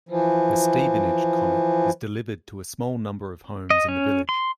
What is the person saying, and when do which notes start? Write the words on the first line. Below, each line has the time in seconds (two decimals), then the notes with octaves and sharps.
"The Stevenage Comet" is delivered to a small number of homes in the village.
0.09 E3 F3
3.70 D#5
3.89 C#4
4.29 C6